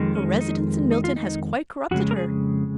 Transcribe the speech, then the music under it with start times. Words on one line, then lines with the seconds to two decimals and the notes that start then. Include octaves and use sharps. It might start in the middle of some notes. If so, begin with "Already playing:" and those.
Her residence in Milton has quite corrupted her.
Already playing: F2 D#3 G#3
0.15 C#4
0.41 D#4
0.91 D#4
1.04 F4
1.16 D#4
1.91 F2 C#3 G#3 F#4
2.11 A#4
2.16 G#4